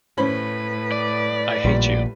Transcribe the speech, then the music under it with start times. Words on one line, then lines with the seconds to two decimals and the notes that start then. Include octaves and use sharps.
I hate you!
0.18 A2 C#4 B4 C5 B5
0.92 D5
1.65 A#1 A#2 G3